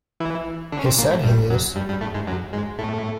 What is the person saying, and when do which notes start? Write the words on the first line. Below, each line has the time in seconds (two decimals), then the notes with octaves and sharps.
He said he is.
0.20 E3 E4
0.72 D3 D4
0.79 C#4
0.86 C3 C4
0.98 A#2 A#3
1.11 A2 A3
1.24 G2 G3
1.50 F#2 F#3
1.76 G2 G3
1.88 G2 G3
2.01 A2 A3
2.14 G#2 G#3
2.27 F#2 F#3
2.53 G#2 G#3
2.79 A2 A3